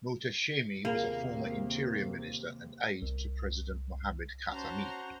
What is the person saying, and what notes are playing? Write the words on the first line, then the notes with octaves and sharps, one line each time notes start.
Mohtashemi was a former interior minister and aide to President Mohammad Khatami.
D#2 C3 A#3 F4 G#4 A#4
C2
C#4 F#4 C5 A5 A#5 C6